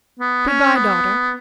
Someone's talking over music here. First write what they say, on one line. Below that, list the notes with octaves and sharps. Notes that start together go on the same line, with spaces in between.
Good-bye, daughter.
B3
C#4
B3